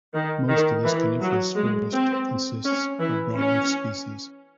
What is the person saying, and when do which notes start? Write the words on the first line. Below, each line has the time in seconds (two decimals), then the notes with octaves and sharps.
Most of this coniferous forest consists of broad leaf species.
0.13 D#3
0.48 D#3
0.84 E3
1.20 F#3
1.56 G#3
1.93 C4
2.64 C#4
2.99 E3 E4
3.36 C#4